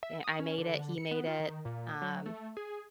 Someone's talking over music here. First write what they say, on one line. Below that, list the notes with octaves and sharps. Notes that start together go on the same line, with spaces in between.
eh I made it, he made it, um
E5
D#6
C#4
D3
C#7
B3
F4
D#3
A#2
F#3
A3
G#4